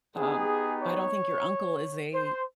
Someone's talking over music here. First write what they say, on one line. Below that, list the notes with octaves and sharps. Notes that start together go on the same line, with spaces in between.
Um, I don't think your uncle is a
B3 D#4 G4 G#4
C#5
C5